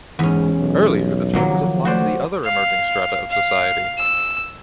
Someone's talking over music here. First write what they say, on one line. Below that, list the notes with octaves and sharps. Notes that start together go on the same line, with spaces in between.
Earlier the term was applied to other emerging strata of the society.
E2 G#2 C#4
B1
D#3 F3 F#3 A#3 C6
A3 F#4 C5 D5
F5
F5
E6